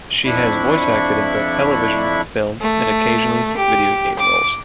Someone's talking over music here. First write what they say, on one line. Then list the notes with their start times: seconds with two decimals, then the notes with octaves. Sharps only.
She has voice acted in both television, film and occasionally video game roles.
0.25 F2 D4 E4 B5 C#6
2.60 A3
3.57 G4
4.18 D6